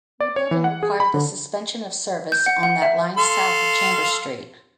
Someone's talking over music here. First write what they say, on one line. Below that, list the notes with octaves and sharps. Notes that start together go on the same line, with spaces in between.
Rebuilding required the suspension of service on that line south of Chambers Street.
D5
C#5
E3
F#5
G#4
B5
D3
G6
F#5
F#5
E5
A4 F5 C6